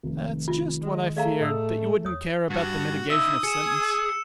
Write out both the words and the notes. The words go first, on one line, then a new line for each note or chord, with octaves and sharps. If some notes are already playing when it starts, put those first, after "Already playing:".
"That's just what I feared, that you wouldn't care about the mitigation of sentence."
F1 D#3
F4
G#3
A3 G#4 D5 F5 A#5
A2 D#5 D#6 E6
E2 C#5 D#6
G2 F#4
D#4 E5 D#6 E6
G#4 C#7 E7